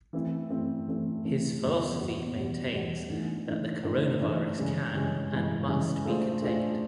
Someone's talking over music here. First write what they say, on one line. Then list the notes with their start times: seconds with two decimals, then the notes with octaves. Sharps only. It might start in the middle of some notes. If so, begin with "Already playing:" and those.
His philosophy maintains that the coronavirus can and must be contained.
0.13 E3 A3 C4 E4
0.50 E3 A3 C4 E4
0.88 E3 A3 C4 E4
1.24 E3 A3 C4 E4
1.61 E2 B2 G3
1.99 E2 B2 G3
2.36 E2 B2 G3
2.72 E2 B2 G3
3.09 G#2 E3 A3 D4
3.46 G#2 E3 A3 D4
3.83 G#2 E3 A3 D4
4.20 G#2 E3 A3 D4
4.57 C#3 E3 G#3 C#4
4.95 C#3 E3 G#3 C#4
5.32 C#3 E3 G#3 C#4
5.69 C#3 E3 G#3 C#4
6.05 A3 D4 F4 G#4 C5
6.42 A3 D4 F4 G#4 C5